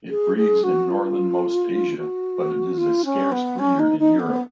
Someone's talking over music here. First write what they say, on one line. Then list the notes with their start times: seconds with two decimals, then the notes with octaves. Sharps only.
It breeds in northernmost Asia, but it is a scarce breeder in Europe.
0.09 G#4
0.37 G#4
0.63 F#4
0.90 F4
1.97 F#4
2.78 F4
3.05 C#4
3.32 B3
3.58 C#4
3.79 D#4
3.99 D#4
4.19 B3